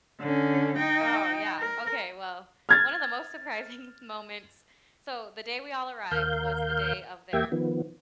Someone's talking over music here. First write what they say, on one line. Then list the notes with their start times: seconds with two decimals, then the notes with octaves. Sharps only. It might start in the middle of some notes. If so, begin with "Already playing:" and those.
Oh, yeah, okay. Well, one of the most surprising moments so, the day we all arrived was the day of their
0.20 D3 C#4
0.78 D#4 G5
1.59 A#4
2.69 F6 G#6 A6
6.11 D#2 A#4 F5 G6
7.33 E2 A#3 G4 E5 G5 G#6
7.52 D#3 F3 B3